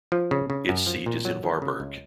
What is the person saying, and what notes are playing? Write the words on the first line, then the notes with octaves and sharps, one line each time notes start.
Its seat is in Varberg.
F3
C#3
C#3
F#2
F3
A#2
F#3
D#3
C#3
C#2